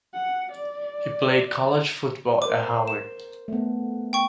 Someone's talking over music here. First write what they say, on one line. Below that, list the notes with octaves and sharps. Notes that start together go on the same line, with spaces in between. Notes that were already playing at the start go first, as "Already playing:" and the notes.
He played college football at Howard.
F#5
D5
A#4 C5 D6
E7
A3 B3
G5 C#6